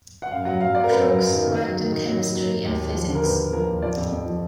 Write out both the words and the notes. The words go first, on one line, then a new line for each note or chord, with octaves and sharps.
Crookes worked in chemistry and physics.
F#5
F#2 F5
F#3 F#5
F#3 F5
F#2 D5
A#4
F#2 B4
F#3
F#2
D#3
D#3
F#3
D#3
D#3
F#3
F#3
F#3
F#3
D#2
D#2
F3
D3
A#4
D#2 B4
D#2
F3 A#4
D#2
F3 D5
F2
F2
F3